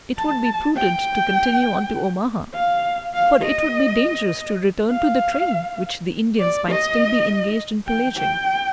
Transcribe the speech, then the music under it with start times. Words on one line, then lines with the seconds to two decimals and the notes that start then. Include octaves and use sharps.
It would be prudent to continue on to Omaha, for it would be dangerous to return to the train, which the Indians might still be engaged in pillaging.
0.17 A5
0.76 G5
2.54 F5
3.14 F5
3.43 D#5
4.91 F5
6.39 D5
6.68 D#5
7.87 G5
8.17 G5